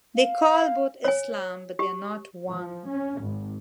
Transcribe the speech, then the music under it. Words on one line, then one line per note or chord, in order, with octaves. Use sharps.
They call both Islam, but they are not one.
F5
C#5 G#5
G4
F3
C#4
G#1